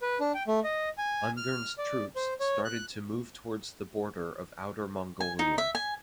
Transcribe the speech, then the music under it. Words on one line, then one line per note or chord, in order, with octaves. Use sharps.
Ungern's troops started to move towards the border of Outer Mongolia.
B4
D4
G5
A3
D#5
G#5
F6
D5
C5
C#5
F#6
G#5
D#4
E5
G#5